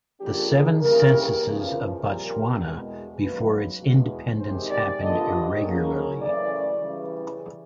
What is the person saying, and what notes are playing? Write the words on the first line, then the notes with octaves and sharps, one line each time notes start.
The seven censuses of Botswana before its independence happened irregularly.
F2 C#3 F3 A#3 D4 G4
G#4
D2 C#3 E3 G3 A#3 A#4
E2 C#3 F3
A#2 G3 C4 A#4
E2 B2 G#3
F#2 D#3 F#3 A#3 B4
E2 B2 G#3
C3 D#3 G#3 C5
D5
G2 D3 F3 A#3 D4 D#5
C#3 F#3 A#3 C#4
F#2 C#3 E3 A3 D5
C#3 E3 G3